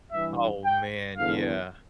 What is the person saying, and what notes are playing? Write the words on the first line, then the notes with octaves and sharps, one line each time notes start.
Oh, man, yeah.
G2 E3 E5
G5
E2 D3 F5